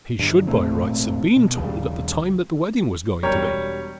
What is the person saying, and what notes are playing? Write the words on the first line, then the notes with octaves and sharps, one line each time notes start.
He should by rights have been told at the time that the wedding was going to be.
G2 D3
G#1 A#2 A3 C4
B2
A#1 D#2 C#3 G3
E1 G3 A#4 C#5 G6